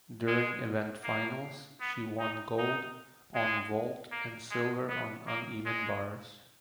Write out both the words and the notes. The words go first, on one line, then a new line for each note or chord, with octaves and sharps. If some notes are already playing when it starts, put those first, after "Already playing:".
During event finals she won gold on vault and silver on uneven bars.
G#3
A#3
B3
D#4
D#4
G#3
A#3
G#3
B3
A#3
G#3